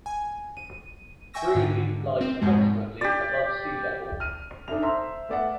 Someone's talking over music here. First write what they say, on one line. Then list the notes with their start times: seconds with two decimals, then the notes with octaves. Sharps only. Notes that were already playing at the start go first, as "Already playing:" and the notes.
Brierley lies approximately above sea level.
0.06 G#5
0.57 D#7
1.34 E5 G5 G#5 C#6 E6 A#6
1.55 G#2 D3
2.21 C4
2.42 F2 G#2 B2 G#3
3.01 G4 D5
4.20 F6 D#7
4.68 D4 D#4 A4 E5 F7
4.82 C5 E5 A#5 C6 E6
5.29 A3 B3 D5 E5 F#5